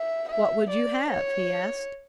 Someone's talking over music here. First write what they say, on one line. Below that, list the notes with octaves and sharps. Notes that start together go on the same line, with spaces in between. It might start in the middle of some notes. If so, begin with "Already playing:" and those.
"What would you have?" he asked.
Already playing: E5
E5
D5
C#5